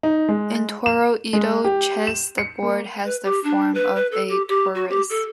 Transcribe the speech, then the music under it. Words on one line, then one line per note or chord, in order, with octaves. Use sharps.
In Toroidal chess the board has the form of a torus.
D#4
G#3
E7
G#3
G4
E7
C#7
A#3
B4
G4
D4
B4
B4
A4
G4
G4
F#4
G4
A4